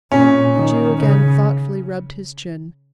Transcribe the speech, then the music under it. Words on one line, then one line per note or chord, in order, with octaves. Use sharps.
The Jew again thoughtfully rubbed his chin.
A#2 C#4
D#3
C#3